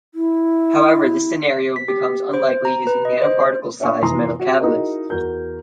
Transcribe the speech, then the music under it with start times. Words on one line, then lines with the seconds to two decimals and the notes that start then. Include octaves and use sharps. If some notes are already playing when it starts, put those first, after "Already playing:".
However, this scenario becomes unlikely using nanoparticle-sized metal catalysts.
0.15 E4
1.76 B6
1.88 G4
2.33 C5
2.65 A#5
2.87 B4
3.05 D#5
3.22 C5
3.80 D4 C#5 E5 G#5 C#6
4.02 F1 E3 A#5 C6 D#6
4.40 F#4
4.60 D#4 E4 F#4 G#4 A#4 D#5
5.10 E2 F#4 A#4 G6